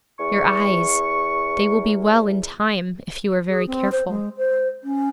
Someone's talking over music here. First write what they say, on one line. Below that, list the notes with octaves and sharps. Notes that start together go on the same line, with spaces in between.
'Your eyes--they will be well in time, if you are very careful.'
E2 C#6
G#4
C4
C5
G#3
C5
C#4